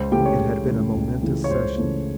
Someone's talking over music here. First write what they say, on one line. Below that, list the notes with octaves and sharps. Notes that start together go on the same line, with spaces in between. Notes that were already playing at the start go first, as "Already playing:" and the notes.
It had been a momentous session.
Already playing: C#2 C5
C#3 E3 A3 G4 G5
C#5
C#2
C#3 E3 A3
C#2
C#3 E3 A3
C#5
C#2 C5
C#3 E3 A3